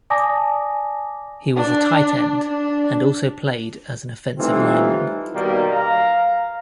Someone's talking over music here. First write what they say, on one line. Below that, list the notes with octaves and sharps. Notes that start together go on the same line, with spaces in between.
He was a tight end and also played as an offensive lineman.
D5 G#5 A5 D6 D#6 A#6
D4
D4
E3 G3 A3 C4 D#4 F4
B2 D#3 G3 A#3
F5 A#5